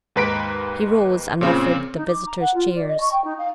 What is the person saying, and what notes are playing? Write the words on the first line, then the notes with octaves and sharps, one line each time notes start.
He rose and offered the visitors chairs.
D#2 G#2 B4 A#5 B6 D7
A#2 C#3 C4
D#4
D6
A#5
F#5
F4
D5
D#5
C#6
G5
D#4
F5